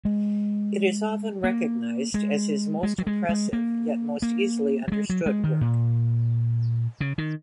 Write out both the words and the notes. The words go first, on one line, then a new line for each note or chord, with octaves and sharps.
It is often recognized as his most impressive yet most easily understood work.
G#3
A#3
G#3
G#3
F#3
G#3
G#3
A#3
A#3
F#3
G#3
F#3
G#3
D#3
A#2
C#3
D#3